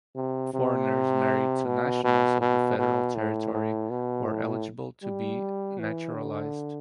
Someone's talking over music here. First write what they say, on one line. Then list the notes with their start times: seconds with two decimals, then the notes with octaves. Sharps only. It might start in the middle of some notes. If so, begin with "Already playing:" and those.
Foreigners married to nationals of the federal territory were eligible to be naturalized.
0.16 C3
0.54 C3
1.66 B2
2.04 B2
2.41 B2
2.79 B2
3.15 A2
3.53 A2
3.90 B2
4.28 A2
5.03 G3
5.79 E3
6.15 D3